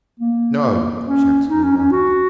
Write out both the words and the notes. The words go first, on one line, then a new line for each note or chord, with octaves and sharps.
"No," shouted Lord Arden.
A#3
C#4
D#4
C#4
C#4
F#4